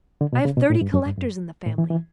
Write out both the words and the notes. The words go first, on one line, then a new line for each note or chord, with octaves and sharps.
I have thirty collectors in the family.
D3
B2
C#3
B2
A2
G2
F#2
G2
F#2
A2
E3
E3